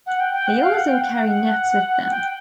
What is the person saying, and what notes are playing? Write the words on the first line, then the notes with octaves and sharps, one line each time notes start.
They also carry nets with them.
F#5
G5
G5
F#5
F5
F#5
G5
F#5
F#5
F#5
G5